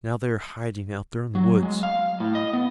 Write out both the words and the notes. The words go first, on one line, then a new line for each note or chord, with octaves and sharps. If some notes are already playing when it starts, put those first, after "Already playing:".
Now they are hiding out there in the woods.
F#3
G#3
F5
A2
D#5
B3